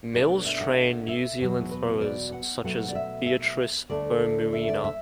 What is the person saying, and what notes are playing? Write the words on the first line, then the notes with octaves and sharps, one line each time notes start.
Mills trained New Zealand throwers, such as Beatrice Faumuina.
B2 A3 D4 D5
E5
F#5
E5
E2 B2 F#3
B4
D5
F#5
B2 F#3 A3 F#5
D5
E5
E5
D2 D3 A3 D5
E5
D5
E5